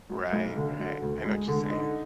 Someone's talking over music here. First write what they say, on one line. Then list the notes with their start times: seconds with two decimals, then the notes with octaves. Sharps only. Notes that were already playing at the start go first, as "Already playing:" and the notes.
Right, right, I know what you're saying.
0.09 F#3
0.33 B1
0.56 D3
0.79 F#3
1.02 D2
1.25 G#3
1.48 D3
1.70 D#4